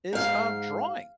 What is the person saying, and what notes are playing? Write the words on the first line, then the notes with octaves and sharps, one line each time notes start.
is, uh, drawing,
G#2 F5